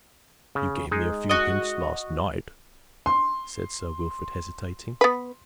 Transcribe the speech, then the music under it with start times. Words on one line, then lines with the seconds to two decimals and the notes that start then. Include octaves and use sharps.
"You gave me a few hints last night," said Sir Wilfrid, hesitating.
0.55 C#3
0.91 G#3 D#4
1.29 F#4 D#5
3.06 C6
5.01 B3 B4